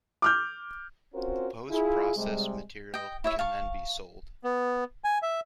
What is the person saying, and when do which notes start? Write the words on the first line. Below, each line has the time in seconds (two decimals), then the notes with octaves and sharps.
The post-processed material can then be sold.
0.22 D6 F6 G6
1.13 C4 C#4 F4 F#4 A#4 C5
1.70 E4 F4 G#4
2.17 C3 G3 G#3
2.94 D#5 G5
3.24 E4 C#5 E5
3.39 F5 A5 C#6
4.44 B3
5.04 G#5
5.22 E5